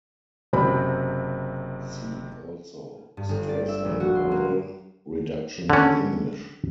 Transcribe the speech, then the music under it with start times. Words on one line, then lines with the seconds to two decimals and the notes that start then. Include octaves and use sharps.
See also stress and vowel reduction in English.
0.53 F#1 C3 C4 B5
3.17 G2
3.29 G1
3.48 D5
3.68 E5
3.85 A#1
4.00 F#4
4.15 C6
4.31 A#3
5.70 D3 C#4